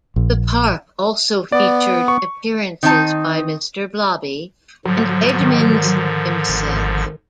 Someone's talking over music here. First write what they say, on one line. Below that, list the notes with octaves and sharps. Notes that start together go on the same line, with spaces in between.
The park also featured appearances by Mr Blobby and Edmonds himself.
A#1
B3 D5
C#6
D#3 C4 D#4 A5
G#2 D3 F3 F#3
D#3
G#1